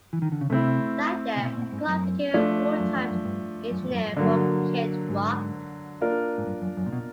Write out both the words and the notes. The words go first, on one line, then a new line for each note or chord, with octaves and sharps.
That year, Clark became a full-time engineer for Kid Rock.
E3
D#3
D3
C#3
C3 A3 C4 E4
C3
B2
A#2
G#2
F#2
F3 A3 D4
F#2
F2
F#2
G2
F#2
F2
G2
F#2
G2
F#2
G2 D3 F#3 A#3
G#2
A#3 D4 F4 A#4
G#2
G2
F#2
F#2
A#2
B2